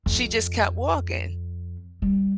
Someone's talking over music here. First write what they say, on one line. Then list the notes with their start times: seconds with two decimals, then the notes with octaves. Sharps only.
she just kept walking,
0.06 F2
2.02 G3